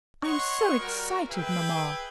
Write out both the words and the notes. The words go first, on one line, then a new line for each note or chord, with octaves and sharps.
"I'm so excited, mamma."
C#5 D#5 F#5 C6 C#6
G3 F#4 A#4
G#4 B4 E5 G5